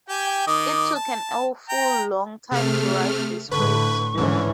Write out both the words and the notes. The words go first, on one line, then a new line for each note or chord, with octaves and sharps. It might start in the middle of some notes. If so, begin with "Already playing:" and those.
It took an awful long time to write the script.
G4 G5 G#5
D#3 D#5 D6
A5
G5 A#5
C3 A3 G#4 F6
A2 D3 B4 C#6
G#2 D3 E3 C#4